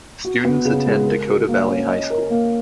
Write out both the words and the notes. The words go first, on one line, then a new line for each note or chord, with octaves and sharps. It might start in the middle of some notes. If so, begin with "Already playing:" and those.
Students attend Dakota Valley High School.
F#4
B3
C#3
G#3
A#4
F#4
A#3
C#4
D#5
A#4
A#3